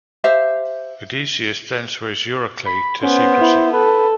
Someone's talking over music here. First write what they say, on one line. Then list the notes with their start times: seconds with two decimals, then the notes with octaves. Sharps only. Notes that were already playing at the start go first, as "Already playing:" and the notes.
Odysseus then swears Eurycleia to secrecy.
0.24 G4 C5 E5 F5
2.66 B5
3.02 B3 C#4 C5
3.41 E4
3.73 A4 B4